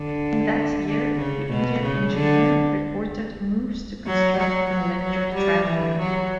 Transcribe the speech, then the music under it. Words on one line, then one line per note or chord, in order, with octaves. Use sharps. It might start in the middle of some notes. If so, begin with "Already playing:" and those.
In that year ‘The Indian Engineer’ reported moves to construct an electric tramway.
Already playing: D3
D3
C#3
B2
C#3
D3
F#3
F#3
F#3
F#3
G3
E3
F#3